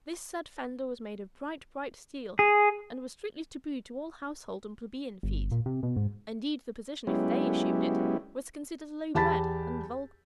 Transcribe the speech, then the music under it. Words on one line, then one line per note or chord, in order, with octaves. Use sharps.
This said fender was made of bright, bright steel, and was strictly tabooed to all household and plebeian feet; indeed the position, if they assumed it, was considered low-bred and vulgar.
G#4
G1
A#2
C3
B2
G#2
F#3 G#3 B3 C#4 E4 G4
E2 G4 A5 B5 A6 B6